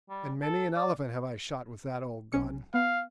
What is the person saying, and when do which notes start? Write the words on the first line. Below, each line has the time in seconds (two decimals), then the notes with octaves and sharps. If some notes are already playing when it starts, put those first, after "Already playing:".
And many an elephant have I shot with that old gun.
0.10 G3
0.42 A4
0.76 D5
2.33 B1 C#4 C#7
2.74 B3 F5